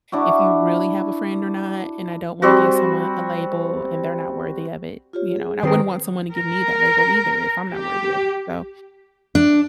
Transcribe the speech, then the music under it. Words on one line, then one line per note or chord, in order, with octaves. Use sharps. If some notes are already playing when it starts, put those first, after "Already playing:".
if you really have a friend or not, and I don't wanna give someone a label and they're not worthy of it, you know? And I wouldn't want someone to give me that label either if I'm not worthy of So,
D4 E4 F#4
G3 C4 F#4
F4 G4 C#5
G#4
D#3 C4 A#4 B4 G5 D#6
A#4
G4
D4